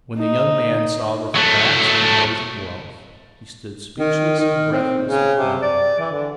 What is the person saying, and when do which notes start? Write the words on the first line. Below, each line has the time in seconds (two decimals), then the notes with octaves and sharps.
When the young man saw this vast and amazing wealth he stood speechless and breathless with wonder.
0.17 D#4
1.36 F#3 A3
3.97 D#3
4.39 D#3
4.72 C4
5.04 C#3
5.38 C3
5.62 D5
6.00 E3
6.12 D3